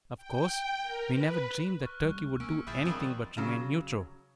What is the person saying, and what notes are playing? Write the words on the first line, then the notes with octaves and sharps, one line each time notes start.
Of course, we never dreamed that Turkey would do anything but remain neutral.
G5
A#4
B4
C#6 F6 F#6
C#2 G3
A#3 C#4 E6 D7
G1 A#2 E4 G#4 E5 D#6 G6 A6
D#3 F3 G3 C4
C#3 F#3